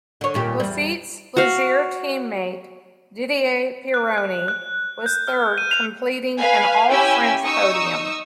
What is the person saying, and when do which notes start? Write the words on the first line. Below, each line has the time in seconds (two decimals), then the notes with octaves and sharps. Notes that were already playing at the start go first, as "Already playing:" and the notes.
Laffite's Ligier team mate Didier Pironi was third, completing an all-French podium.
0.21 D3 C#5
0.34 D#2 A#2 G4
0.60 E2 G3
1.37 F#4 F5
3.94 F#6
4.18 F#6
4.48 F#6
5.06 G6
5.28 F6
5.58 D#7
5.71 F7
6.37 B4 F5 G#5
6.89 C#4 E4 G4 G#5 E6
7.43 D#4 C#6 D#6 E6